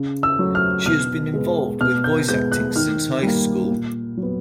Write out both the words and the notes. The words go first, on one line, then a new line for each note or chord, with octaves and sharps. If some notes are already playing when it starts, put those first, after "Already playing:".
She has been involved with voice acting since high school.
Already playing: C#3
E6
F#3 A3
F6
B2 F6
G#3 B3
B2 F6
G6
G#3 B3 G6
F#6
D#3 F6
G3 A#3
A#2
F#3
B3